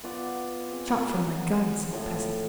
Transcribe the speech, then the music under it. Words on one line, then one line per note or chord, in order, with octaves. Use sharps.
"A shot from my gun!" said the peasant.
B3 F4 D5
C4 G#4
F#3 B4 C5
A2 F3